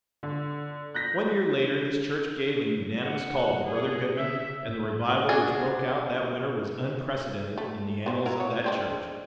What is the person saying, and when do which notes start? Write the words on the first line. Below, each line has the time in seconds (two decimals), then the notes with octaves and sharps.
One year later this church gave a unanimous call to Brother Goodman and the revival which broke out that winter was unprecedented in the annals of that church.
0.23 D3
0.95 F#6 G6 A#6 B6
3.01 F#5
3.64 G#4
4.18 E5
4.69 A2
5.29 D4 F#4 G#4
7.58 A3
8.06 B3 C5
8.26 E4 F#4 A#4
8.40 C#5
8.64 G#3 C4 D4